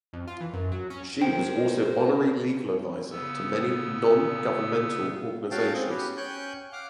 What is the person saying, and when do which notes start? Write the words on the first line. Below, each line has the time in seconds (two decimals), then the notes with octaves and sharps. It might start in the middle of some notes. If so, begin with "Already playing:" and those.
She was also honorary legal adviser to many non-governmental organisations.
0.13 F2
0.27 F4
0.40 E3
0.53 F#2
0.72 F#3
0.90 C#4
1.21 A#4 C5 F#5 G5
3.11 C#3 B3 E6
5.51 C#4 F#4 F5 G5 A5
5.74 C4 G#4
5.89 B3 C#4 F#4 G4
6.17 C#4 G5 G#5 C#6 F#6 G6
6.72 F5 F#5 D6 F6